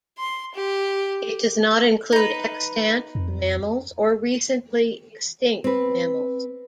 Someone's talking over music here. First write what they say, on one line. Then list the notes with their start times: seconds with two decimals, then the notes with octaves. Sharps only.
It does not include extant mammals or recently extinct mammals.
0.18 C6
0.54 G4
2.12 D#4 B4
3.15 F2
5.64 C4 B4